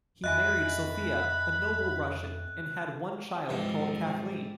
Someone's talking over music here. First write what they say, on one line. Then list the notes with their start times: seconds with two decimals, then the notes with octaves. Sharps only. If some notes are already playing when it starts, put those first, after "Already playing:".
He married Sofia, a noble Russian, and had one child called Kathleen.
0.24 F2 D#5 E5 G#5 B5 F#6
3.49 G#2 E3 F3 G3 C4